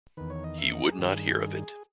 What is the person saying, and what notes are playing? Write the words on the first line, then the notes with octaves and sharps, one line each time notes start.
He would not hear of it.
E2 D#3 B4
C#5
D#5
E5
D#5
A#4
G#4
G2 D#3 G4
G#4